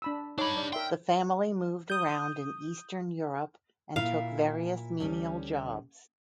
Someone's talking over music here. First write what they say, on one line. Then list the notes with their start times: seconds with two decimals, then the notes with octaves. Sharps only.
The family moved around in eastern Europe and took various menial jobs.
0.02 D4 B5 E6
0.38 D4 D#4 C#5 B5 D6
0.57 D5
0.73 A#4 E5 G5 C6
1.90 D#6 G6
3.96 A#2 E4 F5
5.00 D2 G3 C#4